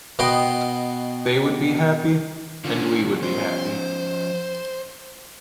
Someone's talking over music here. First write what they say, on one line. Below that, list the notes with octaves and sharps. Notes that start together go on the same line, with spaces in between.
They would be happy and we would be happy.
B2 B3 D#5 G5 C6
D3 F3 C#4
C5